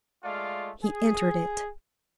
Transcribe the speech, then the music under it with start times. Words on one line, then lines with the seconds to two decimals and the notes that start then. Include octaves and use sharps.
He entered it.
0.24 G#3 A3 F4 D5 F5
0.83 G#4